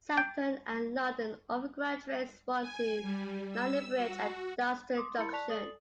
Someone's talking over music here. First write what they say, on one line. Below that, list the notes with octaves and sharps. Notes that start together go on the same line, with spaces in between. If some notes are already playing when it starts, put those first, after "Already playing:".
Southern and London Overground trains run to London Bridge and Dalston Junction.
G5
G#5
G3
E6
F#4
C6 D6 D#6
E4 A#4 B5 C6 A6 C#7
D5 A5 C#6 F#6 B6 F7
A4 D5 D#6 A6 F#7